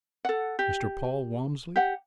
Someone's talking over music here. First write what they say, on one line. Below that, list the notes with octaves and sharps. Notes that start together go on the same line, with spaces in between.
"Mr. Paul Walmsley?"
A4 F#5
G4
G4 F#5